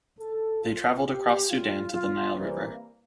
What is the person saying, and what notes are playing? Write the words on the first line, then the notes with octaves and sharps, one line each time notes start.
They travelled across Sudan to the Nile River.
A4
A#2 F3 F4
G4
A2 G3 F4
F4
C3 E3 G3 A#3